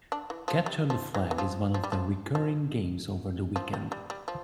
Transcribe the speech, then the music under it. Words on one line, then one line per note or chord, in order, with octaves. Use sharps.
Capture the Flag is one of the recurring games over the weekend.
D4
E3
F3
G3
F3
E3
E3
F3
F3
G3
F3
F3
F3
G3
G3
G3
F3